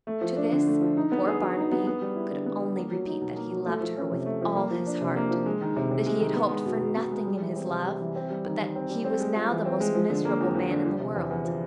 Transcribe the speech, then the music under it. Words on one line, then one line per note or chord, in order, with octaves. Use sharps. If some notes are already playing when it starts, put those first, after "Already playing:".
To this poor Barnaby could only repeat that he loved her with all his heart, that he had hoped for nothing in his love, but that he was now the most miserable man in the world.
A3
F3
D4
D3
A3
F3
D#4
B3
G#4
F#3
D#4
B3
B3
G3
E4
D3
B3
G3
A#3
F#3
D#4
B2
A#3
F#3
A3
F3
C#4
C3
A3
F3
A#3
F3
D4
C3
A#3
F3
G#3
D#3
C3
C3
G#3
D#3
B3
G#3
B2
B2
B3
G#3
G3
E3
C4
C3
G3
E3
C4
G3
D#3
D#3
C4
G3
C4
G#3
F4
E3
C4
G#3
F3
D3
A#3
F2
F3
D3
F3
C3
E2
E2
F3